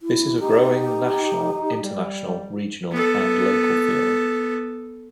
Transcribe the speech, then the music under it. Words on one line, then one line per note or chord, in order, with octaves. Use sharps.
This is a growing national, international, regional and local field.
E4
D#4 G4
G3
B3 A4